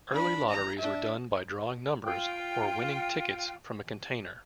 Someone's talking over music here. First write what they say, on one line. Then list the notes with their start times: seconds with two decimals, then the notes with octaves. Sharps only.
Early lotteries were done by drawing numbers, or winning tickets, from a container.
0.11 D4 B5
0.49 A#5
0.79 D4 E5
2.04 F4 G5